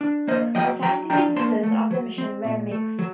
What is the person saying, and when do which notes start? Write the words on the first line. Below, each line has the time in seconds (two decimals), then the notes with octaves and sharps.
The scientific results of the mission were mixed.
0.01 D4
0.28 A#3 C5 D#5
0.55 F#3 D#5 G5
0.82 F#3 G5 A#5
1.10 D4 G5 A#5
1.36 A#3 A5 C6
1.63 A3
1.91 F#3
2.18 C4
2.44 A#2
2.71 A3
2.99 F#3